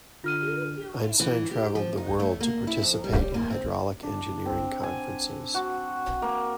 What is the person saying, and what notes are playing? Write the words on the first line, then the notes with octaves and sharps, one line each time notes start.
Einstein traveled the world to participate in hydraulic engineering conferences.
D3 F4 F6 D#7
E3
G4
F3
D#4
A3
A#3
E4
F2
G3
A#3
C4
D4
C4
G#5
F#4
A#3